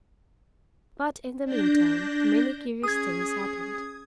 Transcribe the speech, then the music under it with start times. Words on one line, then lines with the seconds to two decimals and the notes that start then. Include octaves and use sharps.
But in the meantime, many curious things happened.
1.44 D4 G6 A#6
2.83 C#4 G#4 D#6 G#6